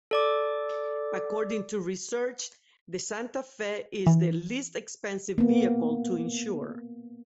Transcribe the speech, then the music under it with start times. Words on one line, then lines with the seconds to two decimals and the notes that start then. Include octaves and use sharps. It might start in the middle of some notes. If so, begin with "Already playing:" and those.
According to research, the Santa Fe is the least expensive vehicle to insure.
0.11 A4 D5 D6
4.06 E3
5.38 A#3 B3